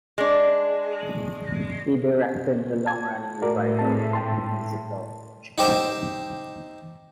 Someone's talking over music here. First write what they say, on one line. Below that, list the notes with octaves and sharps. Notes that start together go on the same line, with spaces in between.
He directed the long-running revival of the musical Chicago.
G#3 D4
A5 G#6
A2 F#4 A#4 D5
C4 G#4 A5
G5 A5 C6
D#4 G4 C5 E5